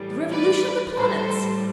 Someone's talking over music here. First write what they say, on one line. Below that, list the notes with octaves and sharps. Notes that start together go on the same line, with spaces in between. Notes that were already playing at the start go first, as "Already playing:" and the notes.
The revolution of the planets.'
Already playing: A2 E3 G3
B4 D5
A2 G3 A4 C5